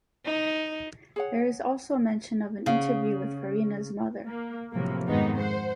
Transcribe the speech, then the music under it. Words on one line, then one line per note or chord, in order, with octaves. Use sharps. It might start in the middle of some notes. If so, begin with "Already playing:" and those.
There is also mention of an interview with Farina's mother.
D#4
G#4 C#5 F#5
C#3 C5 F5 F#5
A#3
A2 C3 F3 F#3 A#3
F2 G#2 D#3 G#3 B3 D#4
C5 F#5